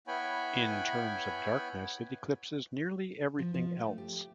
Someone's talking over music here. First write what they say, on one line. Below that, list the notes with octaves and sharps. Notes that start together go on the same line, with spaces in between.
In terms of darkness, it eclipses nearly everything else.
B3 E4 C#5 G5 G#5 B5
F3
F3
A3
G4